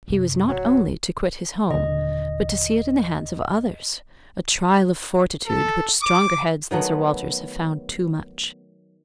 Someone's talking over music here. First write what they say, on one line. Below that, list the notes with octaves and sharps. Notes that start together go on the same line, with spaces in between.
He was not only to quit his home, but to see it in the hands of others; a trial of fortitude, which stronger heads than Sir Walter's have found too much.
F#2 C3
D1 C#3 F#3
D#1 D3 D#5
A4
D6
D#3 F#3 A3 B3